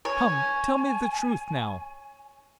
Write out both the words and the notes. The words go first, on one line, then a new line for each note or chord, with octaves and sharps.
"Come--tell me the truth now."
C#5 G#5